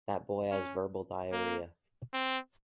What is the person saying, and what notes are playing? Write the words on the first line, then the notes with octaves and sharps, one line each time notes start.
That boy has verbal diarrhoea.
C#4
A#3
C4